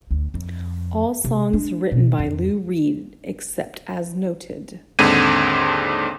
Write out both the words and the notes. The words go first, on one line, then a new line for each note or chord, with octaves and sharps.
All songs written by Lou Reed except as noted.
D2
F2
C3
D4
B2
F2
D#2 G#2 D3 C4 D#7